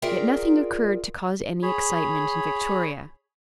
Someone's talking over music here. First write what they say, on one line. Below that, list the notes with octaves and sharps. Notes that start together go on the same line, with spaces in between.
Yet nothing occurred to cause any excitement in Victoria.
F4 G#4 A#4 D5 E5 G5
G#4 C#5 B5